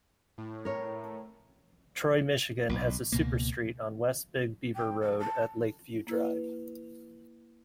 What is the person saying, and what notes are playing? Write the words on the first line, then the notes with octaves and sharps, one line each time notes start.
Troy, Michigan has a superstreet on West Big Beaver Road at Lakeview Drive.
A2
A#4 C#5
B1
C#2 B2 A#3
G5
A4
A5
A#3 E4 B4